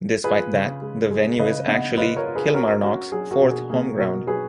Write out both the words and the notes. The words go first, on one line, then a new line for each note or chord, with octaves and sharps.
Despite that, the venue is actually Kilmarnock's fourth home ground.
F4 G#4 B4
C#3
G#3
G#3
C#3 B4 D#5
B3 D#5 F#5
F4 B4 D#5
A#4 C#5
F4
G#4 B4
C#4 F#4 A#4
C#4 F#4
F#3 G#4
F#4 A#4
B2
G#4
A#3 G#4
B2 F#4 A#4
F#3 G#4 B4